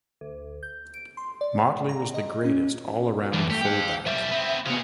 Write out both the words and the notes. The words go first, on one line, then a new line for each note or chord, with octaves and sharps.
Motley was the greatest all-around fullback.
D2
G6
D7
C6
D5
A#5
D#5
C#4
F#2 A2 E3
A3 G4
F5 G5
B1 G3 E5
B3 C4
C3 B3 G#4 F5